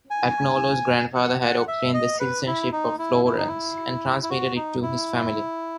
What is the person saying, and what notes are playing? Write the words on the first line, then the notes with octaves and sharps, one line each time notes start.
Agnolo's grandfather had obtained the citizenship of Florence and transmitted it to his family.
G#5
F#5
F#5
E5
D#5
B4
E4
D#4
E4
E4
D#4
E4
E4
F#4
D#4
E4